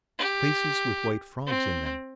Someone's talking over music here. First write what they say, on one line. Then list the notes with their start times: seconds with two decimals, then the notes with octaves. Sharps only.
Places with white frogs in them.
0.19 G4
1.46 C4